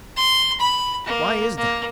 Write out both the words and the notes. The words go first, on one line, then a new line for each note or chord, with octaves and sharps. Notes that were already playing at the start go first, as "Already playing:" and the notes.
Why is that?
C6
B5
A#3
A#3